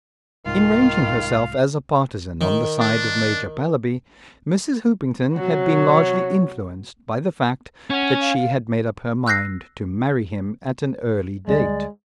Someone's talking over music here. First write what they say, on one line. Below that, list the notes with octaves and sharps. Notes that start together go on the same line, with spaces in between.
In ranging herself as a partisan on the side of Major Pallaby Mrs. Hoopington had been largely influenced by the fact that she had made up her mind to marry him at an early date.
C2 G#2 D#3 F4 F5
D#3
D4
C3 F#3 F#4 C#5
C#4 F#5
F5
E6 F#6 G6 A#6 C7
D2 G3 G#3 D5